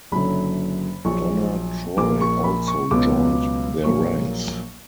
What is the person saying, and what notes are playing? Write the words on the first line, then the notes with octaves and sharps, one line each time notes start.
Donna Troy also joined their ranks.
F#1 F#2 D3 F#3 B5
A#1 A#2 F#3 C#6
A#1 A#2 A#3 D6
C#6
B5
C#6
C#2 B2 F#3 B3 D6
A#1 A#2 F#3 A#3 C#6